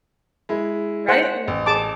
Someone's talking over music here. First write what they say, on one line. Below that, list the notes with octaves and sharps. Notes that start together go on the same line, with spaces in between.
Right? And it's like
G#3 E4
C5 F#5
A1
G#4 A5 D6